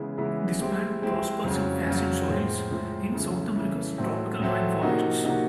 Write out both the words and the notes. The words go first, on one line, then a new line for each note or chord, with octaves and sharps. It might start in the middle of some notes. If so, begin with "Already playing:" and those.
This plant prospers in acid soils in South America's tropical rainforests.
Already playing: C#3 E3 G#3 B3 E4
C#3 E3 G#3 B3 E4
G#3 C4 E4 G4
G#3 C4 E4 G4
F2 C#3 F#3
F2 C#3 F#3
A2 F3 G#3 C4
A2 F3 G#3 C4
C#3 E3 A3
C#3 E3 A3
A2 F#3 A3 C4
A2 F#3 A3 C4
C3 F3 A#3 D#4 F#4
C3 F3 A#3 D#4 F#4